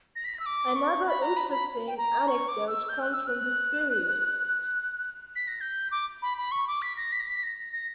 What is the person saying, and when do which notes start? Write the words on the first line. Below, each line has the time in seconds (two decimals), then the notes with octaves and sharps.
Another interesting anecdote comes from this period.
0.16 A#6
0.25 B6
0.34 A#6
0.39 E6
0.46 D6
0.75 C#6
1.07 B5
1.22 A#5
1.37 B5
1.51 B5
1.87 G5
1.98 A#5
2.28 C#6
2.48 D6
2.67 E6
2.89 G6
3.02 F#6
3.14 E6
3.27 F#6
5.36 B6
5.48 A#6
5.61 G6
5.91 D6
6.22 B5
6.37 B5
6.51 C#6
6.68 D6
6.82 B6
6.97 A#6
7.12 B6
7.20 A#6
7.27 B6
7.43 A#6
7.73 A#6